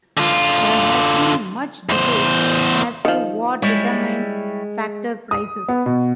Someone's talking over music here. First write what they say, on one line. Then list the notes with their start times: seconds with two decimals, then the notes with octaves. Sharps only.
There has been much debate as to what determines factor prices.
0.17 D3 F4
1.89 E2 C5
3.05 D#3 F3
3.62 G3 G#3 E4 C#5
5.31 D#6
5.69 B3
5.86 B2